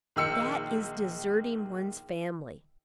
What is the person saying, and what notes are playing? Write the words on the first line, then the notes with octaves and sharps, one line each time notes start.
That is deserting one's family.
A#1 D#3 E6 C#7